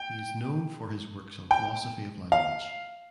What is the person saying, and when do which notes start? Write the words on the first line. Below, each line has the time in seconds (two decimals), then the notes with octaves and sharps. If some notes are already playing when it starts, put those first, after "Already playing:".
He is known for his works on philosophy of language.
Already playing: G5
1.51 G5
2.32 F5